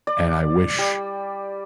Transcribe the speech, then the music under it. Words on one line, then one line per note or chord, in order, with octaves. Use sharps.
and I wish
D5
G3